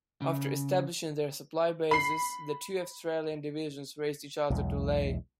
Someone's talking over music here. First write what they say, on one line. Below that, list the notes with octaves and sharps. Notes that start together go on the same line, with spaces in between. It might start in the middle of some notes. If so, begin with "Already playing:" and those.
After establishing their supply bases the two Australian divisions raced each other to Lae.
C#3
B5 C7
B1 E2 G#3